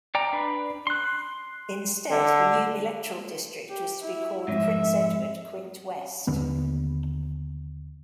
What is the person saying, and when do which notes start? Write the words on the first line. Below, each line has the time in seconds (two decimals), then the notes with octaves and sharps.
Instead, the new electoral district was to be called Prince Edward-Quinte West.
0.15 D5 G5 A#5
0.33 D4 B4
0.87 C6 F#6
2.10 D3
3.70 G4
4.03 E4
4.48 F2 G#2 E5
6.27 D#2 D3 B3